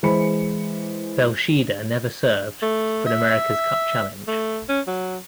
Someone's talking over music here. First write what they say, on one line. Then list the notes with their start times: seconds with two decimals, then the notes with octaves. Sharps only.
"Velsheda" never served for an America's Cup challenge.
0.03 E3 G#3 G#4 C5 B5 C#7
2.62 A3
3.06 E5
4.27 A3
4.69 C#4
4.87 F#3